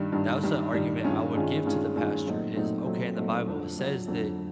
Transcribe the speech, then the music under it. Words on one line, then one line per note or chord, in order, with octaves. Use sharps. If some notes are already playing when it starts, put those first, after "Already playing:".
that's a argument I would give to the pastor is, okay, in the Bible it says that
Already playing: G2 D#3 G3
G2 D#3 G3
G2 D#3 G3
G2 D#3 G3
G2 D#3 G#3 C#4 F4
G2 D#3 G#3 C#4 F4
G2 D#3 G#3 C#4 F4
G2 D#3 G#3 C#4 F4
A#2 F#3 A3 C4 D#4
A#2 F#3 A3 C4 D#4
A#2 F#3 A3 C4 D#4
A#2 F#3 A3 C4 D#4
F2 D3 F#3
F2 D3 F#3
F2 D3 F#3